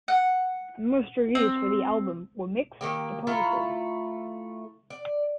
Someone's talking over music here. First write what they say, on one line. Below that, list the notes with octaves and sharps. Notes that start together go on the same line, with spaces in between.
Most reviews for the album were mixed to positive.
F#5
C4
D#3 A#3 G4
A3 E4 F4 A#5
D5